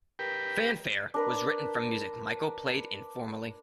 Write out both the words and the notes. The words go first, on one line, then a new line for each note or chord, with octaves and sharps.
"Fanfare" was written from music Michael played informally.
G4 A#4 B4 G5
D4 A#4 B4